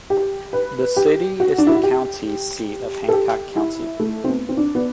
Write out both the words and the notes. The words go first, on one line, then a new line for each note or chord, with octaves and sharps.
The city is the county seat of Hancock County.
G4
B4
G4
F#4
D4
E4
F#4
G4
A4
G4
E4
A3
C4
B3
C4
D4
B3